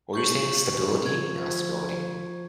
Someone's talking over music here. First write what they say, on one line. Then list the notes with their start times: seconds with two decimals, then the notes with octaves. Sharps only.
What were you saying, stability? Not stability
0.13 C#6 G6 F#7
1.06 F3 G#6